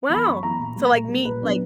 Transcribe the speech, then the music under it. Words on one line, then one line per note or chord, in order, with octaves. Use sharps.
wow. So like meet like
E3 B3 E4 B5
F#2 C#6
E3 B3 E4 A#5
A#2
G3 A#3
A#2
G3 A#3
A#2 B4
F#3 B3 D4